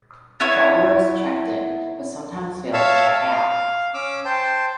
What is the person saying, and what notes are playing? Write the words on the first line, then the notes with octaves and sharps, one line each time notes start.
Travelers checked in, but sometimes failed to check out.
B3 E4 C#5
C#5 E5 F5 A5 E6
F5
C#4 D6 E6
C5 G5 A5